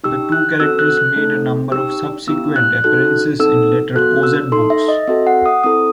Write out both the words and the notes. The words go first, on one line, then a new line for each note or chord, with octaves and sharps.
The two characters made a number of subsequent appearances in later Oz books.
D#4 G4 E6
F#6
C4 F#4 A4 E6
F#6
F#6
A3 D#4 A4
D#4 G4 E6
B3 E4 G4 E6
F#6
D#4 F#4 A4 F#6
C4 D#4 A4 E6
B3 F#4 A4 F#6
E6
D#4 A4 C6
E5
D#5
C4 F#4 A4 E5
F#5
D#6
C4 E4 A4 D#6